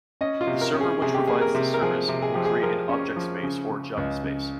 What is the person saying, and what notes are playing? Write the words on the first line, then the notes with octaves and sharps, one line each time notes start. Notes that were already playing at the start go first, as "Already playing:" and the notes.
The server which provides this service will create an "Object Space", or "JavaSpace".
C#4 D#5
F4
C3
A#4
C#4
G#4
C3 G#4
G4
A#3 G#4
A#4
C3
A#4
F3 G#4
C3
G#4
F3 G4
G#4
F3 A#4
C#4
F3
C#3
C#3
C#2
C#3